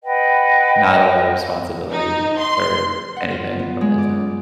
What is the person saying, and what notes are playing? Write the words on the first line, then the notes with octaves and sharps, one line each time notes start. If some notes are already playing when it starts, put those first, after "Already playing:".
Not a lotta responsibility or anything from his end.
B4 D#5 F#5 G5
D#4
C6
F#5
F4
B3
G#3
D5